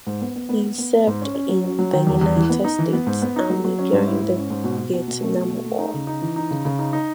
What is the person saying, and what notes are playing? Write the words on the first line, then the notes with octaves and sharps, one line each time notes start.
He served in the United States Army during the Vietnam War.
G#2
B3
B3
B3
B3
B3
B3
G#2
C#4
C#4
F#3
C#4
F#3
D#3
E2
E2
E3
B3
D#4
E3
B3
G#2
B3
D#4
F#3
F#3
C#4
G#2
E4
G#2
C#4
G#2
B2
B2
B2
B2
A3
B2
A3
A3
D#4
C#3
D#4
E3
D#4
C#3
C#3
D#4
D#4